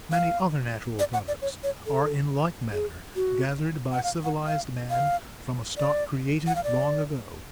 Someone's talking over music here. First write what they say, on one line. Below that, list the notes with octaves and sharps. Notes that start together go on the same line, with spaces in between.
Many other natural products are in like manner gathered by civilized man from a stock created long ago.
F5
D5
F#5
D5
C#5
C#5
A4
G#4
F#4
F#5
F5
F#5
F5
F5
D5
F#5
F5
D5